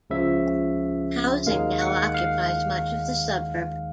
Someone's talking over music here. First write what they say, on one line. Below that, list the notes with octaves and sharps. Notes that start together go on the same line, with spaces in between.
Housing now occupies much of the suburb.
C#2 C#3 F3 E5
D#2 D#3 G#3 F5
F#5
F5